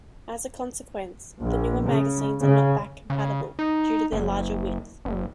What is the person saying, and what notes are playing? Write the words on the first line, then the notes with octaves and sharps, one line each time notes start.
As a consequence, the newer magazines are not back-compatible, due to their larger width.
A#1
C#3
C#3
C#3
D#4
F#1
F#1